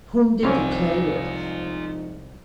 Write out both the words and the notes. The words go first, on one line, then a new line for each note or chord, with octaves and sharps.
"Whom did you play with?"
C2 F3 G#3 C4 C#4 D#4 F4 G#5